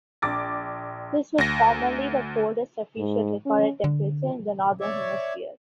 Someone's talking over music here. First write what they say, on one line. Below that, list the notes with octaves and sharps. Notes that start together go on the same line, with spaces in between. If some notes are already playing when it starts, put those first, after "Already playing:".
This was formerly the coldest officially recorded temperature in the Northern Hemisphere.
A#1 D6 A6
D2 A#6
G#2
C#4
D3
C#5 D5 E5